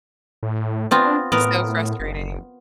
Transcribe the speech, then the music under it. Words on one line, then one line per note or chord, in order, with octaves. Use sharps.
So frustrating.
A2
B3 C4 D4 F4
A2 B3 A#4
F#1